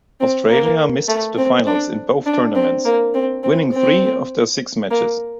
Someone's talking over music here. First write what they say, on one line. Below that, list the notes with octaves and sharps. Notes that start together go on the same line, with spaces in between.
Australia missed the finals in both tournaments, winning three of their six matches.
C4
A#3
A3
C4
D4
D4
C4
A#3
C4
C4
C4
A#3